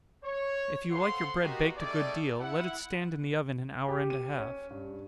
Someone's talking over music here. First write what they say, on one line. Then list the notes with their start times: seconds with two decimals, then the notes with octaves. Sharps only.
If you like your bread baked a good deal, let it stand in the oven an hour and a half.
0.24 C#5
0.90 A4 C5 F5 F#5 C6
1.42 G#3 A#3 B3 D#4 F#4 G4
1.77 G3 A3 D#4 G#4 D5
2.40 E4 F#5
3.88 G4
4.10 D#7
4.37 C#4
4.70 G2